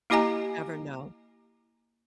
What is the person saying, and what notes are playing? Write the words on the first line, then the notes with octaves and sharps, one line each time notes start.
You never know.
A#3 E4 G4 D#5 G#5 A#5